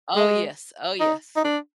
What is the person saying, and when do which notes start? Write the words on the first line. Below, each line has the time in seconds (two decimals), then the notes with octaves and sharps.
Oh, yes. Oh, yes.
0.16 G#3
1.01 D#4
1.36 D#4
1.45 D4